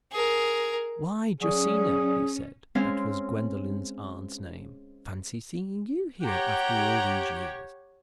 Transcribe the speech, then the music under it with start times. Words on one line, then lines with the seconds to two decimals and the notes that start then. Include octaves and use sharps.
"Why, Josina," he said--that was Gwendolen's aunt's name--"fancy seeing you here after all these years!"
0.12 G#4 A#4
1.41 F#3 C#4 G#4 D5 C#6
2.75 G#3 C4 C#4 C5 F5 G#5
6.23 G4 C#5 F#5 G5 A#5